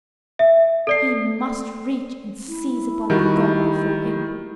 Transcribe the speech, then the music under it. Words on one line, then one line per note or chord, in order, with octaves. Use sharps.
He must reach and seize upon the girl before him!
E5
A4 D5 C7
E4
D#3 G3 F#4